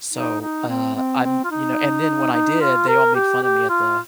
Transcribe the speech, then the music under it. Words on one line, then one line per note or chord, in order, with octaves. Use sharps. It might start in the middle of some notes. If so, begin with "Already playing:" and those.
So, uh, I'm you know, and then when I did, they all made fun of me at the
D#4
D#4
C4
C4
C4
F4
D#4
D#4
F4
A#4
G4
G4
F4